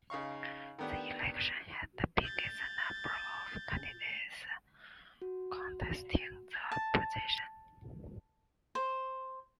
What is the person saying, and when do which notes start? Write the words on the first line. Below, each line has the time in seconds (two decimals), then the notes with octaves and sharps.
The election had the biggest number of candidates contesting the position.
0.10 C#3 D#4 F5 C#6
0.79 D#3 A3 B3 D4 G4
2.22 G6 A6
5.22 F#4
6.72 A5
8.75 C5